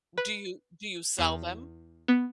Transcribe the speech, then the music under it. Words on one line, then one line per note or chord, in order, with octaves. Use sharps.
W do you do you sell them?
B4
E2
B3